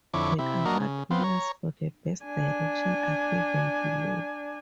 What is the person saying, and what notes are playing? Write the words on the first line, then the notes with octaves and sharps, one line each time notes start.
The award winners for Best Direction are given below.
F2 D3 E4 C#5 D6
C3 E4
A#3 D4 F#4 A#4 D#5
C#3
B3 C4 F4
C#5 A#5
D4 G#5